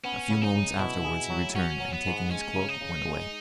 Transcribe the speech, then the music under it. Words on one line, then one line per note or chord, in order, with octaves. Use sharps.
A few moments afterwards he returned, and taking his cloak went away.
B3 C#4
C#3
D#4
C#3
B2 E4
G#4
F#3
C#4 F#4
F#3
B3
G#2
G#3 C#4
C#3
D#4
C#3
G#3